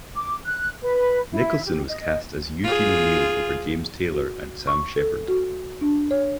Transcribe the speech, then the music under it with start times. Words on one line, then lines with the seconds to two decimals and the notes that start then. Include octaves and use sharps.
Nicholson was cast as Eugene O'Neill over James Taylor and Sam Shepard.
0.15 D6
0.45 F#6
0.83 B4
1.32 E4
1.65 G4
1.88 D#5
2.64 F4 G#4
4.11 F#4
4.67 C#6
4.96 A4
5.28 F#4
5.81 D4
6.11 C#5